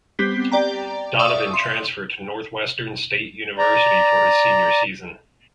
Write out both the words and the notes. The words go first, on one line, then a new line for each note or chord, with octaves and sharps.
Donovan transferred to Northwestern State University for his senior season.
G3 B3 C4 G4 B6
G4 D5 G5 A#5
D5 E5 F5 C#6 D#6 E6
C6
D5 A#5